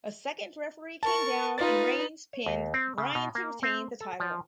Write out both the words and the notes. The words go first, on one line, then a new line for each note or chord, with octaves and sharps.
A second referee came down and Reigns pinned Bryan to retain the title.
A#4 A5 C#6
D#4 F4 B4 A6
C#5
D#2
C4
C#3
B2
A#3
C4
A4
F3